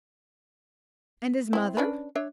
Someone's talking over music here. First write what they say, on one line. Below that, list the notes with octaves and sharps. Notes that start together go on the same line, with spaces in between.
"And his mother?"
C4 E4
C#4 D4 B4
D4 C#5 E5